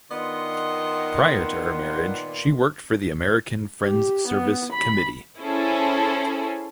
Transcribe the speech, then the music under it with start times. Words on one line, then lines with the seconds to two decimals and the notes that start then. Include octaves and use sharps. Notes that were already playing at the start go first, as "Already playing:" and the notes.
Prior to her marriage she worked for the American Friends Service Committee.
0.11 D#3 B3 D4 F4 D#5 F#5 C6
1.88 A#2
3.83 G4
4.28 B3
4.72 B5
5.39 C#4 E4 G#4 A4 C5